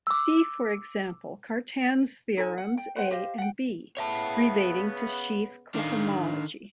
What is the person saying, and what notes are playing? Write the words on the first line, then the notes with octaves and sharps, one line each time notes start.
See for example Cartan's theorems A and B, relating to sheaf cohomology.
D6 E6
D#4 A4 C5 G#5
F#5
G5
B4 C5 F#5 G5
G4 C5 D#5 F5
F#5 G5
C#3 B3 C#5 E5 A5
D#3 D4 A4 F5